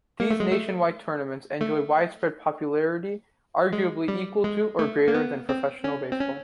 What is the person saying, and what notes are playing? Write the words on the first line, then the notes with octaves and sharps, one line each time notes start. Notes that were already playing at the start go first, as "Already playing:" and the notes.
These nationwide tournaments enjoy widespread popularity, arguably equal to or greater than professional baseball.
A#3
A3
G#3
A3
A3
G#3
G3
G#3
A3
A#3
B3
C4
C#4
C4
C#4